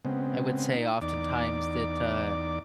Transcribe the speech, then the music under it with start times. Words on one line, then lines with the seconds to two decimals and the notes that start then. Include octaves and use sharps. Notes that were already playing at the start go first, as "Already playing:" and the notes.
I would say oftentimes that, uh,
0.05 C#3 G#3 B3 C4
0.76 D#4
1.01 E2 D#4 D5 D6